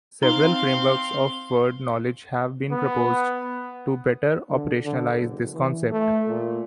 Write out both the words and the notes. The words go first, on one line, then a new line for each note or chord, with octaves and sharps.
Several frameworks of word knowledge have been proposed to better operationalise this concept.
C4 D#4 F5 C6 G7
B3
D3
D3
F#1
E3
A3
A#2